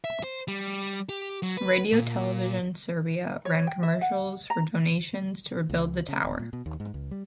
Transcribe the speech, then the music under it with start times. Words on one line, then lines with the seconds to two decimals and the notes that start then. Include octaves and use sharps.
Radio Television Serbia ran commercials for donations to rebuild the tower.
0.04 E5
0.24 C5
0.48 G3
1.09 G4
1.42 F#3
1.57 B4
1.93 A#2
3.45 C#5
3.67 G5
3.83 E5
4.01 F#5
4.50 A#5
5.70 C#2
6.09 C#3
6.24 D1
6.39 A#2
6.53 B2
6.66 D#2
6.80 G#2
6.94 C#2
7.11 G3